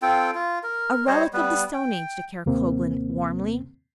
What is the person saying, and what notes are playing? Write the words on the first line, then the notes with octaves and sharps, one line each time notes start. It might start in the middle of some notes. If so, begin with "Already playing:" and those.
"A relic of the stone age," declared Coglan, warmly.
C4 F4 A4 G5
F4
A#4
G3 C5 C#5 D#5
G3 B3 B4
G5
D#2 C3 A#3 C4